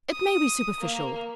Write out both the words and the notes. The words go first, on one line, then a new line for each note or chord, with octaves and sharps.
'It may be superficial.
D#6
A#3